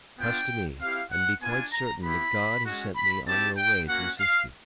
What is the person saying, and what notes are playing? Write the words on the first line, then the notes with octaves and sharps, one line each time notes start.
Trust to me, and be quite certain that God has sent me on your way to assist you.
B3 D4 F4 G5
C4 E4 G4 F5
F#5
B3 D4 F4 G#5
A#5
B3 E4 G4 B5
G#3 C#4 F#4
B5
C4 E4 G4 A5
G5
A#3 C#4 F#4 F#5
F5